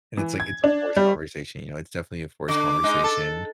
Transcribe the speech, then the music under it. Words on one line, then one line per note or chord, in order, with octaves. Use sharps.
And it's like, it's a forced conversation. You know? It's definitely a forced conversation.
E3
G#6
D4
G3
D3 D6
G#3 D#4
A4